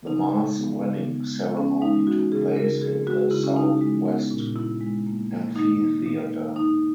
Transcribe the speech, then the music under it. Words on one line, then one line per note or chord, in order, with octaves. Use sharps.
The mass wedding ceremony took place in the Southwest Amphitheater.
C#3 D#4
G#3
B3
C#3
B3
G#3
B3 C#4
G#3 D#4
E3 F#4
C#3 G#4
C#3 A#4
C#3 G#4
G#3 F#4
G#4
C#3 E4
C#4
C#3 D#4
G#3
B3
A#2
A#2 E4
G#3
A#3
A#3
D#3 D#4
A#3
B2
A#3
B2 D#4